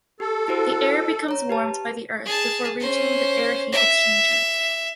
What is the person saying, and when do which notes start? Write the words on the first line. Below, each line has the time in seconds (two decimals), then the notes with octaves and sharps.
The air becomes warmed by the earth before reaching the air heat exchanger.
0.20 G4 A4
0.48 E4 F#4 C5
1.28 C#5 A#5
1.49 G4 B4 A5
2.25 G#4 A5
2.80 C#4 C5
3.73 E5